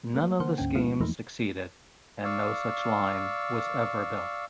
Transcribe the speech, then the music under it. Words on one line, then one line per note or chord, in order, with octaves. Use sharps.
None of the schemes succeeded and no such line was ever built.
G3 A3 A#3
D3 A#3 C5 F#5
D2 G#2 D3 C#4 G5
F3 G#3 A#3 B3 E4 F4
E2 E3 F3 A3 A#3 D#4
D5 F5 C#6 E6